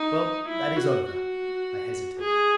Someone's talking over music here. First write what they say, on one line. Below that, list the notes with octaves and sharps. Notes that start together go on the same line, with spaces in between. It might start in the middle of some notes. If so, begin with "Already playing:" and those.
"Well, that is over." I hesitated.
Already playing: D#4
E4
F#4
F#4
G#4